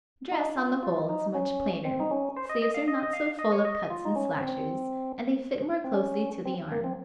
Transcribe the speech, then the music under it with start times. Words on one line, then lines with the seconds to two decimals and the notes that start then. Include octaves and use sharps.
Dress, on the whole, is much plainer, sleeves are not so full of cuts and slashes, and they fit more closely to the arm.
0.32 D#4
0.57 F4
0.83 F4
1.09 D#4
1.35 C#4
1.85 C4
2.00 D#4
2.11 C#4
2.37 C5
2.49 D#5
2.62 D#5
2.74 F5
2.88 D#5
3.03 D#5
3.13 F5
3.39 D#5
3.52 C#5
3.65 D#5
3.90 F4
4.05 D#4
4.16 C#4
4.36 C#4
4.41 C4
5.84 C4
5.94 C#4
6.45 C4
6.72 A#3
6.84 C4